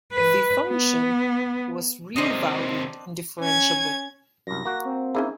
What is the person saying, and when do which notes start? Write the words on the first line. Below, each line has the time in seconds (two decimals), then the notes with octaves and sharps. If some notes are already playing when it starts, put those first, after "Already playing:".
The function was real-valued and differentiable.
0.14 B4
0.69 B3
2.16 C3 D#3 C4 D4 D#5
3.40 C#4 G#6
4.47 C2 F#2 A#6
4.65 A#3 F#4
4.85 C4
5.15 A#3 C#4 D#4 E4 G#4